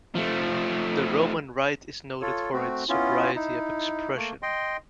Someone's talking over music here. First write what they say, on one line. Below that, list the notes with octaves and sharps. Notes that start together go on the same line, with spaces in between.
The Roman Rite is noted for its sobriety of expression.
F3 A3
F4 A4 C#5
A3 C4 F#4
B3 C#4 E4 F4
D#4 E4
A3 A#3
D#5 G5 C6